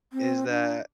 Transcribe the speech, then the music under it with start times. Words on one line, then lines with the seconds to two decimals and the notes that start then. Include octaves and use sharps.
is that
0.13 C4
0.48 D4